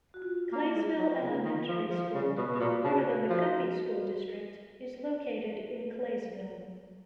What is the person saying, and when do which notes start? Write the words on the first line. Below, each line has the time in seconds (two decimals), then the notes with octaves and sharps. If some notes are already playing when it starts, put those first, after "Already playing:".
Claysville Elementary School, part of the McGuffey School District is located in Claysville.
0.14 F#4
0.22 F4
0.52 A#3
0.76 G#3
0.99 F#3
1.22 C#3
1.45 D#3
1.69 F3
1.90 F3
2.15 C#3
2.37 B2 F#4
2.55 B2
2.58 A#2 F4
2.68 F#4
2.84 C#3
2.99 F#4
3.30 F3